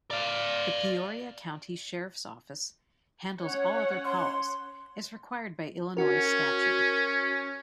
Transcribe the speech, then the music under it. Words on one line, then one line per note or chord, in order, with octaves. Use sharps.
The Peoria County Sheriff's Office handles all other calls, as required by Illinois Statue.
D5 F5
C#4 C#5 F#5
C6
C#4 F#4 A#4